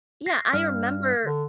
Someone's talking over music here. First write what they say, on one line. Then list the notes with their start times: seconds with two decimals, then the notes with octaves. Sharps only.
Yeah. I remember
0.26 A#6 C7
0.53 G2 F6
1.25 D3